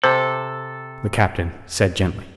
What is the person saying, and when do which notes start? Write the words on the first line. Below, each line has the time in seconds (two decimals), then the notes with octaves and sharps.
The Captain said gently.
0.04 C3 A4 C5